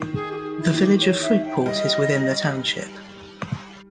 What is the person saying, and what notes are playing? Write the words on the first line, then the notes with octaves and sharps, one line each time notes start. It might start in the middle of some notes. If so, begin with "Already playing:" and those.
The village of Fruitport is within the township.
Already playing: D#3
G#4
G4
G#4
E4
D#3
E3 G4
C#5
E5
E5
G5
G3 D#5